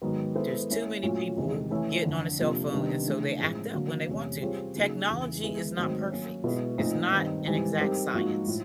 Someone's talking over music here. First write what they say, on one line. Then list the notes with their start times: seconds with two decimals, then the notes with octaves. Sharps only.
There's too many people getting on a cell phone, and so, they act up when they want to. Technology is not perfect. It's not an exact science.
0.02 G#2 D#3 F#3 B3
0.35 G#3 B3 E4 A4 C5
0.70 A#3 C#4 E4
1.03 A#2 F#3 A3 C#4
1.37 E2 C3 D#3 G#3
1.71 E3 A3 C#4 E4
2.04 F2 D3 F3
2.39 C3 F3 A#3 D4
2.72 C3 D#3 G3 B3 D4
3.06 C#3 E3 A3 D4
3.40 A2 F3 G#3 C4 E4
3.74 D3 F#3 A#3
4.07 E2 C3 E3 A3 C#4
4.41 G3 C4 F4 G#4 C#5
4.75 C#3 F#3 A#3 D#4 G#4
5.09 E2 C#3 E3
5.43 E3 G#3 B3 E4
5.76 G#2 D#3 F#3 A3 C4
6.10 F#3 A#3 C#4 F#4
6.44 B2 G#3 B3 E4
6.78 A#2 F3 A3 C4 D#4
7.12 G2 D#3 G3 C4 D#4
7.46 G#2 E3 G3 C4
7.79 G3 C4 D#4 G4 A#4
8.14 G#2 F3 A#3 D#4 F#4
8.47 A2 F3